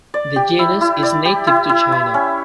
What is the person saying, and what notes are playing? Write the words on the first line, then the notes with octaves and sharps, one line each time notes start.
The genus is native to China.
D5
G4
E4
E4
D5
G4
E4
E4
E4
C#4